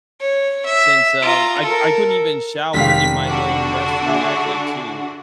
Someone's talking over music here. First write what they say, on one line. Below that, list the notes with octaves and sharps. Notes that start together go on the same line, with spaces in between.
since, um, I c couldn't even shower in my own restroom that day too,
C#5
E5
F4 A#5
A4 A#4
F1 D#3 F5 B6
D3 D4 F#4
G#4 E5